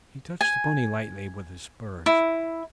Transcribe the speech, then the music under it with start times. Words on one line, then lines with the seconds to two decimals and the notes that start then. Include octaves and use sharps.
He touched the pony lightly with his spurs.
0.41 G#5
2.06 E4